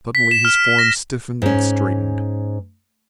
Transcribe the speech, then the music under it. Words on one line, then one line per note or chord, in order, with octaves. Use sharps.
Suddenly his form stiffened and straightened.
B6
E7
F6
A#6
G#2 C#4